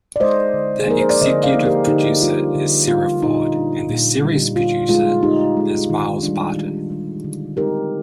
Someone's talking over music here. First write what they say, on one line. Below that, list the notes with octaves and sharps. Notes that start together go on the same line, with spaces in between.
The executive producer is Sara Ford and the series producer is Miles Barton.
D5
G#3 D#4 C5 D#5
D3
G#4
F3 A#3 D#4 A#4
C5
D5
D3 C5 D#5
D5 F5
F3 A#3 D#4
G4 A#4
D3 D#4 G4
G3 D4 F4
D3
G3 D4 F4
A#2 D#4
G3 D4
A#2
G3 D4
D3 F4
G#3 D#4 F4
D3 D#4 G4
G#3 D#4
D#3
G3 D4
D#3
G3 D4
D3
G#3 C4 D#4 G4 A#4